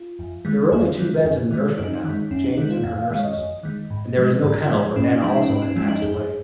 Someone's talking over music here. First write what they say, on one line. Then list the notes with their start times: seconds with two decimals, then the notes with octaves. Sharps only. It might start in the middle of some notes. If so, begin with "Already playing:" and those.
There were only two beds in the nursery now, Jane's and her nurse's; and there was no kennel, for Nana also had passed away.
Already playing: F4
0.19 F2
0.45 D#3 G#3
0.71 F2 F4
0.99 D#3 G#3
1.25 F2
1.51 D#3 G#3
1.78 F2 D#4
2.04 D#3
2.09 G#3
2.31 F2 C#4
2.44 D#4
2.57 D#3 G#3 D#4
2.71 F4
2.83 F2 F5
2.97 F5
3.10 D#3 G#3 F5
3.19 C#5
3.24 D#5
3.37 F2
3.63 D#3 G#3
3.90 G#2
4.17 F3 G#3
4.43 G#2 A#4
4.65 F4
4.70 F3 G#3 G#4
4.96 G#2 C#4
5.09 D#4
5.22 F3 G#3 D#4
5.36 C#4
5.49 G#2 D#4
5.62 C#4
5.76 F3 G#3 C#4
5.88 D#4
6.02 F2 G#4